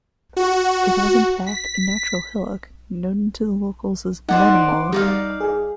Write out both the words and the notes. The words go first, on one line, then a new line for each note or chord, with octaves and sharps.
It was in fact, a natural hillock, known to the locals as "Modimolle".
F#4
B6
D#4 C5 D5 F#5
D6
G3 D#4 D5 F5
G#4